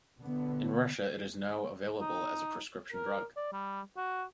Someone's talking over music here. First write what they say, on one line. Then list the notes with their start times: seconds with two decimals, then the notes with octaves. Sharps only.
In Russia it is now available as a prescription drug.
0.18 B2 D3 B3
2.01 D#4
2.92 A#4
3.37 D5
3.53 G3
3.97 F#4